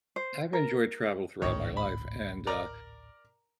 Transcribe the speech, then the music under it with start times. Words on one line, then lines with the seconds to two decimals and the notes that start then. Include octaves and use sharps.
I've enjoyed travel throughout my life, and, uh,
0.16 C5
0.53 A#4
1.42 A1 D2 G#2 D#3 C#5
1.77 B5
2.47 A#4 D5 A#5